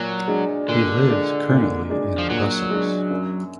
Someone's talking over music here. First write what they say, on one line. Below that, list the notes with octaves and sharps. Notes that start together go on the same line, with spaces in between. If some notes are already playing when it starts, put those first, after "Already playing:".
He lives currently in Brussels.
Already playing: A#2 F#3
G#3 D4
A#2 D3
G#3 D4
A#2
G#3 D4
F3
A#2 F#3
G#3 D4
F#2